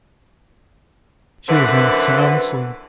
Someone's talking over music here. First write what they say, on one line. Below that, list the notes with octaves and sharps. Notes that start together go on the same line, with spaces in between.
She was in a sound sleep.
F#2 D3 E3 C4 B4 F#5